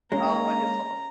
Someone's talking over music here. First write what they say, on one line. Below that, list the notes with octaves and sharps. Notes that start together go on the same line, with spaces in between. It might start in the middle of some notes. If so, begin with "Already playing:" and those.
Oh, wonderful.
G#3 A#3 C#4 A#5